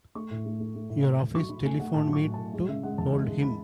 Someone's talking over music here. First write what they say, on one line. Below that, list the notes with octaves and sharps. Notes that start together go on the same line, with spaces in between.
Your office telephoned me to hold him.
A3 C#6
A2
A3
A3
A3
A2
A2
A2
F#3 C#6
F#3 B5
A3 G#5
A3 F#5
A2 A5
F#3 C#6
A2
A2 A5
G#3
C#3 E5
G#3 F#5
E2 A5
G#3
G#3
B5